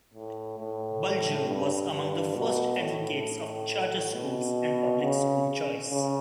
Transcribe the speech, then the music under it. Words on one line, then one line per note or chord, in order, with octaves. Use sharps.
Bulger was among the first advocates of charter schools and public school choice.
A2
A2
G2
G2
B2
A2
B2
C#3
C#3